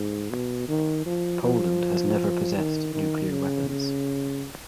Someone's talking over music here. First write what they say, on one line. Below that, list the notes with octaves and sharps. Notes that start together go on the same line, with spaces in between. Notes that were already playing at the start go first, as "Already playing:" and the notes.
Poland has never possessed nuclear weapons.
Already playing: G#2
B2
D#3
F3
F3
D#3
D#3
C#3
C#3